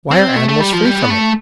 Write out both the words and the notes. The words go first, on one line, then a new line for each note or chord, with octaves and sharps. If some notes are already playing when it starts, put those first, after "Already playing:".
Why are animals free from it?
C4
A3
A3
G3
F3
G3
B3
A3